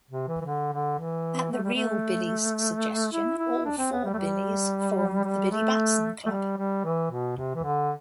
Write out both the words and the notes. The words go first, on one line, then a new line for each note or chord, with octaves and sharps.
At the "real" Billy's suggestion, all four Billys form the Billy Batson Club.
C3
E3
E3
D3
D3
E3
A3
G3
A3
E4
E4
D4
C4
B3
G3
A3
G3
G3
A3
A3
G3
G3
E3
B2
C3
E3
D3